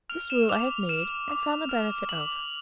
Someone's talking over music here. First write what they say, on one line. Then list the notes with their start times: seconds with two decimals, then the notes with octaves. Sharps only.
This rule I have made, and found the benefit of.
0.09 F6 F7
0.30 E7
0.49 D6 F7
0.89 F6 E7
1.30 D6
1.69 F6
2.09 D6 F#7